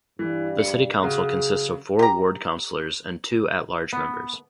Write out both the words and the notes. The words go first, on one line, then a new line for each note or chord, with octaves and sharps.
The city council consists of four ward counselors and two At-Large members.
G2 E3
C#7
C#3 F#4 G#4
G4 A#5
B3